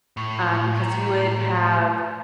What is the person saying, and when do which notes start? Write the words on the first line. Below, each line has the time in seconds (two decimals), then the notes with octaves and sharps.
um, because you would have
0.17 A2 C#6
0.80 A#5